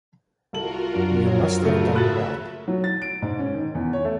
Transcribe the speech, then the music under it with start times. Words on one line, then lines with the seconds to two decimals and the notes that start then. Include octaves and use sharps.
You must have done well.
0.53 C2 F4 F#4 A4 A#4 F#7
0.94 F#2 D4
1.24 A#1 F2 C#5
1.62 C#3 A3
1.94 F#4 G#4 E5 B5 F#6 A6
2.68 F#3
2.84 A6
3.02 D7
3.22 G#2
3.39 C#4
3.54 D#3
3.75 E2
3.93 C#5
4.05 A3